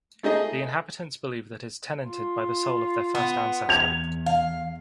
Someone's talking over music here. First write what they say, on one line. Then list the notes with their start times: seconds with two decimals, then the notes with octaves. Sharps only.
The inhabitants believe that it is tenanted by the soul of their first ancestor.
0.23 A3 D#4 G#4 D#5
2.08 F4
3.15 B3
3.69 E2 G#6 F7
4.26 F5